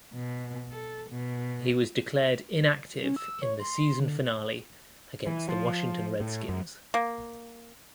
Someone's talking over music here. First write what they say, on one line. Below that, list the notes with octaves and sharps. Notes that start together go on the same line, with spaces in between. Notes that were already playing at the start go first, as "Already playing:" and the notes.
He was declared inactive in the season finale against the Washington Redskins.
B2
A4
B2
C#4
E6
C#5
C6
D3
E3
F3
A2
F#2
A#3